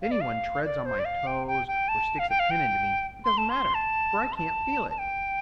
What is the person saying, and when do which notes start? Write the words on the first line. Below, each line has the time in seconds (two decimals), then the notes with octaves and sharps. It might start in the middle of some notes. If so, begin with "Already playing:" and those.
If anyone treads on my toes or sticks a pin into me, it doesn't matter, for I can't feel it.
0.02 F5
0.11 D5
0.21 F5
0.65 D5
0.86 C5
0.99 D5
1.05 F5
1.27 G5
1.47 G5
1.68 G5
1.89 A5
2.19 F5
2.30 G5
2.39 F5
2.51 G5
3.25 C6
3.38 A5
3.50 C6
3.75 A5
4.32 C6
4.36 A5
4.91 A5
4.99 G5